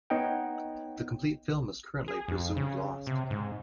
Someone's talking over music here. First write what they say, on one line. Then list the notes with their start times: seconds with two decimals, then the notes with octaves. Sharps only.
The complete film is currently presumed lost.
0.10 B3 D#4 C#5 D#5 F#5 G5
2.08 G#4
2.28 F2
2.57 C#3
3.07 C3
3.30 G#2